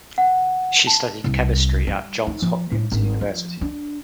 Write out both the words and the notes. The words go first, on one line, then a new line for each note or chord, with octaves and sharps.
She studied chemistry at Johns Hopkins University.
F#5
A5
C2
G3
D#4
F3
A2
G#1
F3
D4